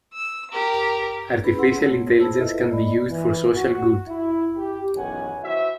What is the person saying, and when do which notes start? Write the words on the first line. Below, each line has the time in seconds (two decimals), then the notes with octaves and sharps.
Artificial Intelligence can be used for social good.
0.13 E6
0.51 G4 A#4
1.43 C#4 E4 G#4 B4 B5
1.58 C#4 G#4 F#5 C6 E6
1.76 A3 B3 C#5
2.20 E4 G#4 C5 A5 B5 E6
2.37 E4 F4 A4 B4 D#5 E5
2.70 A3 A#3 D5 D#5 B5
3.09 E3
3.54 F#4
4.08 E4
4.56 G4
4.95 B1 D#3 E3 C#4 F#5 G#5
5.44 E4 F#4 C5 E5